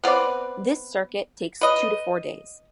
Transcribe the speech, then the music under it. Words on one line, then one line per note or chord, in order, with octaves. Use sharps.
This circuit takes two to four days.
B3 C4 B4 D5
B4 D#5